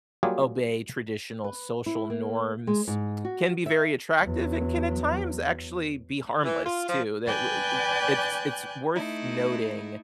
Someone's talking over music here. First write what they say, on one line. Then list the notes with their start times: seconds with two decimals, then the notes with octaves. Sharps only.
obey traditional social norms," can be very attractive and can at times actually be harmless too. Tha w uh It's it's worth noting
0.23 F#3 G3 A#3 F4 G4 G#4
1.44 B4
1.86 E4
2.10 A#3
2.67 G#3
2.88 G#2
3.25 F#4
3.66 E5
4.21 E2 F#3
6.45 E3
6.65 F4
6.89 F3
7.26 B4 D5 G5 G#5 F#6 G6
8.95 A3 D#4 E4